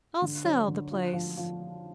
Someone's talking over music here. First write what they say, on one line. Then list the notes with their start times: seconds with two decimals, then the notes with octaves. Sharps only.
"I'll sell the place."
0.22 D3
0.44 F#3
0.68 D3
0.91 F4
1.13 F3
1.37 F3